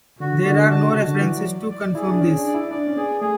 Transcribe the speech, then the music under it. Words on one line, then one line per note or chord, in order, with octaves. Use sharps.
There are no references to confirm this.
D3 F#4
D3 F#4
D3 A5
C#3
F#4
D3
E3 D5
F#3
D5
D5
E4 G#4
D4
C#4 G#4
D4
D5
E4
D4 D5
C#4
B3 G#4
A3 G#4